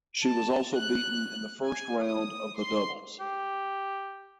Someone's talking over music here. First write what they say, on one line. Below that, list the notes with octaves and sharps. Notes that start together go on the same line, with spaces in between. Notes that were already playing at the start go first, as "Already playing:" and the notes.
She was also beaten in the first round of the doubles.
A5
F#6
G#5
D#6
C6
G4